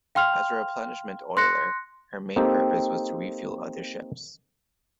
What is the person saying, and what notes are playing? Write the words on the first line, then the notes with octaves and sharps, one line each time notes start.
As a replenishment oiler, her main purpose was to refuel other ships.
F5 G5 C6 F6 F7
C6 F#6 A#6 C#7
A#3 C4 D#4 G4 A4